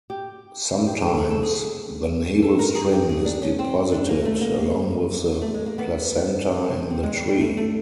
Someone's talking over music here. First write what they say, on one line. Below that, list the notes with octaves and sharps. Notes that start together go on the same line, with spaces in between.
Sometimes the navel-string is deposited along with the placenta in the tree.
G4
G4
G#4
A4
G#4
A4
G#4
A4
A#4
G#4
G4
G#4
D4
C#4
C4
D4
A#3
A3
A#3
A3
G#3
A#3
B3
C4
G#3
G3
G3
A3
A3